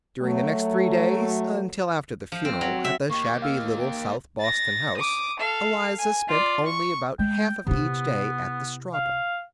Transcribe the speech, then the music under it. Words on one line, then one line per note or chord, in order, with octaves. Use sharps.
During the next three days, until after the funeral at the shabby little South Boston house, Eliza spent only about half of each day at the Strata.
F#3 A3
F3
C4
F#3
E5
A#3 G4 C#6
F5 E6 F6
G5
A6 A#6
D6 D#6
A4 F5
G#5
F4 D5
C#6
G#3 G5
C3 B3 E4
F5